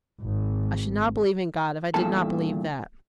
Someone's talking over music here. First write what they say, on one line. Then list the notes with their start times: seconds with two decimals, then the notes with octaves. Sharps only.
I should not believe in God if I did not believe that.
0.20 G#1
1.94 E2 G2 A#2 A4 A5